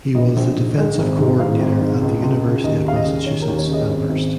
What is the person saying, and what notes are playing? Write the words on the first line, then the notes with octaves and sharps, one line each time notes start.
He was thedefensive coordinator at the University of Massachusetts Amherst.
A#1 D#5
A#1
G#2
G#3
G#1
G#2
G#1 F5
G#1
G#2
C#2
C#2
C#3
D#2 D#5
D#2 F5
D#5
C#3
D#2 C#5
A#4
D#2
C#5
C#3
D#5
G#1
G#1